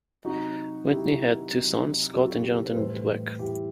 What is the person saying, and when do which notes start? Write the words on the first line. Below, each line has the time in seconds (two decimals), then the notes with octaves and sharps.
Whitney had two sons, Scott and Jonathan Dweck.
0.24 C3 F#3 D#4 F#4
0.87 C3 F#3 E4 G4
1.51 C3 F#3
2.13 C3 F#3 F#4 A4
2.27 F#4
2.40 G4
2.52 A4
2.64 B4
2.76 A2 E3 G3 A4 C5
3.39 A2 E3 G3 E4 G4